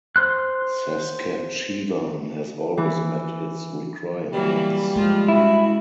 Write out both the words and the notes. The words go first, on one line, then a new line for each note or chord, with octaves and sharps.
Saskatchewan has always met its requirements.
C5 C6 F#6
E3
E3 F#3 G3 A#3
F3 G#3 F4
C#3 E4 F#4